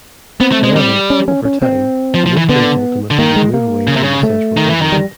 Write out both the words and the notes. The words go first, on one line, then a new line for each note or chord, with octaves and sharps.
However, over time, the influence ultimately would move away from the central government.
B3 C4
A3
G#3
G3
C#4
C#4
C#4
C4
F3
F3
E3
D3 B3
D3
D#3 A#3
G#3
A#3
C#3
C3
C#3
A3
D#3
E3
D#3
G3